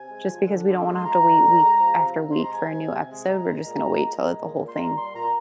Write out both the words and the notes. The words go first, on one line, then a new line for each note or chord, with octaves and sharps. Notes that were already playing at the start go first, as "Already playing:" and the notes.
just because we don't wanna have to wait week after week for a new episode, we're just going to wait till the whole thing
Already playing: C3 G#5
G#3
F3
D3
D3
G#3
C6
F3 A#5
D3
D3
G#3
F3
C3
C3
G#3 C6
A#5
F3 G#5
C3
C3
G#3
G#3 A#5
G#3
A#2
A#2
G#3
G#3
A#2
A#2
C6
G3 A#5
G3 C6
A#2 A#5